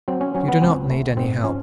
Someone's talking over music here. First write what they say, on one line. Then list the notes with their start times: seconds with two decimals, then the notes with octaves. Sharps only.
You do not need any help.
0.08 F#3 C4
0.21 C#4
0.34 F#3 C#4
0.48 B3
0.62 C#2 C4
0.90 A3
1.17 G#2 C4
1.44 F3 C#4